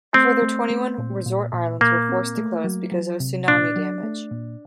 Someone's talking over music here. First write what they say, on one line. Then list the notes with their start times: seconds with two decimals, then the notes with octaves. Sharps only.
A further twenty-one resort islands were forced to close because of tsunami damage.
0.14 A3 C4
0.42 A3
0.70 A3
0.98 A#2
1.26 A#2
1.53 A#2
1.81 A#2 A#3
2.09 C4
2.37 A3
2.64 F#3
2.92 F#3
3.20 C3
3.48 A#2 D4
3.76 F#3
4.03 A3
4.31 A#2